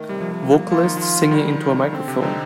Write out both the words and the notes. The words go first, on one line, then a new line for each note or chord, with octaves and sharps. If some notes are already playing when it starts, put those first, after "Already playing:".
Vocalist singing into a microphone.
Already playing: D#3 A3
C3 G3
F3
G3
A#3
F3 F4
D#3
F3 F4
D3
D#3 G3
G3
D#3
D3 C4
C3
D3 D#4